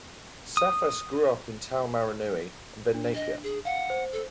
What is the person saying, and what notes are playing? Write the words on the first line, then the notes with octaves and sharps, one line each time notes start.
Psathas grew up in Taumarunui and then Napier.
D#6
D4
D#5
G#4
F5 F#5
C5
A4